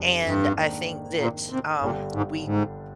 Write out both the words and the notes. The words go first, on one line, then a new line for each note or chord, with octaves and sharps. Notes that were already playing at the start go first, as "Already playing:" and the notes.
and I think that, um, we
Already playing: F1 F2 C3 G3 D4
G2
G#2 D#3 A#3 D4
A#2
C3
G1 G2 A#2 D3 G3 D4
G#2
G#2